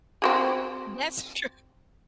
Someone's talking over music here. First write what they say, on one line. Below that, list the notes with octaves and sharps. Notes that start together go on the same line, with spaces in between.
that's true,
C4 F#4 G#4